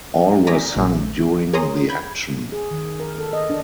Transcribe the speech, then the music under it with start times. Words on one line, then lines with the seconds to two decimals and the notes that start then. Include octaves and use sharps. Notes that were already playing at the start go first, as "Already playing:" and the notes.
All were sunk during the action.
0.47 D5 G#5 A#5 D#6 A#6 B6
0.76 A#1
1.53 G#4 A#4 C#5 A#5 C6 D#6
1.90 B5 G6 G#6
2.52 G#4
2.71 D#3
3.00 A#4
3.18 A4
3.33 D#5
3.50 D4